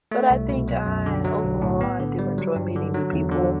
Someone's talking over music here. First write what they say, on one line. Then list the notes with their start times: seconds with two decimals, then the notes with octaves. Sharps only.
But I think I overall, I do enjoy meeting new people.
0.12 A3
0.30 C2
0.49 B2
0.68 F#3
0.86 F#2
1.06 D3
1.25 F#3
1.44 B1
1.62 A2
1.81 B3
1.99 D3
2.19 G3
2.38 F#3
2.56 G2
2.76 D3
2.94 F#3
3.13 E2
3.32 D3